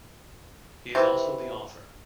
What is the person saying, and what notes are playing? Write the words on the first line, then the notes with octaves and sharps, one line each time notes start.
He is also the author.
C3 E3